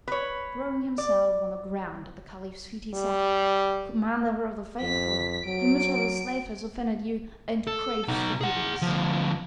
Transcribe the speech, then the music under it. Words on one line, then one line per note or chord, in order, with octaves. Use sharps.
Throwing himself on the ground at the Caliph's feet, he said: "Commander of the Faithful, your miserable slave has offended you, and craves forgiveness."
B4 C#5
D5
G3
F2 B6
F#3 D7
A4
B2 D#4
G#4 F#5
D2 F3